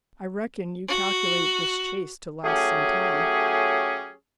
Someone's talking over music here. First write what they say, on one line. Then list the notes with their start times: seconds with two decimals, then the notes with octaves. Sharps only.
"I reckon you calculate this chase to last some time."
0.88 F#4
2.45 F#3 A3 C#4 G4 G#4